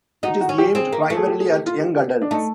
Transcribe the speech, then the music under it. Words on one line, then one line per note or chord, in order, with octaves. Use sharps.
It is aimed primarily at young adults.
D#4 F#4
F#4
C#4
G4
C4 G#4
A#3
A3
G#4
G4
G#4
G4
F4
G4
G4
D4
A3 D#4